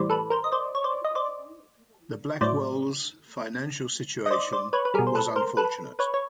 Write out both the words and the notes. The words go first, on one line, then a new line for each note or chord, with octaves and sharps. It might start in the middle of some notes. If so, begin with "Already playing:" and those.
The Blackwells' financial situation was unfortunate.
Already playing: A2 E3 G3 C5 D5
A4 B4
A#4 C5
D#5
C5 D5
C#5
C5 D5
D#5
C5 D5
A2 F#3 C5 D5
D#5
C5 D5
C5 D5
B4 C#5
B4
B2 G3 G#4 A#4
C5
A4 B4
A#4 C5
A4 B4
B4 C#5
C#5